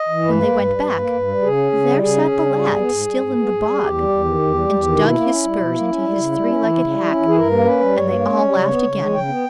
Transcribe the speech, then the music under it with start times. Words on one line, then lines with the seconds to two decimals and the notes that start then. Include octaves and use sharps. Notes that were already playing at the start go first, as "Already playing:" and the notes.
When they went back, there sat the lad still in the bog, and dug his spurs into his three-legged hack, and they all laughed again.
Already playing: D#5
0.09 E3
0.24 G2 B4
0.39 A#3
0.53 G2
0.68 G3
0.83 G2
0.98 A#3
1.13 G2
1.28 G3
1.42 C#3 G#4
1.57 C#4
1.72 C#3
1.87 G3
2.01 C#3 G#4
2.16 C#4
2.31 C#3
2.46 G3
2.61 G#2
2.76 B3
2.90 G#2
3.06 G3
3.20 G#2
3.35 B3
3.50 G#2
3.65 G3
3.79 E2 G4
3.94 G3
4.09 E2
4.25 D#3
4.39 E2
4.54 G3
4.69 E2
4.83 D#3
4.98 B2 E4
5.14 A#3
5.28 C#4
5.43 G3
5.58 B2
5.72 A#3
5.88 C#4
6.02 G3
6.16 C#3
6.32 G3
6.46 C#4
6.61 E3
6.76 C#3
6.91 G3
7.06 C#4
7.21 E3
7.28 G#4
7.36 G2 A#4
7.51 A#3
7.65 C#4 B4
7.80 G3
7.95 G2 C#5
8.10 A#3
8.25 C#4
8.39 G3
8.54 C#3
8.69 B3
8.84 C#3
8.98 G#3
9.14 C#3 G5
9.28 B3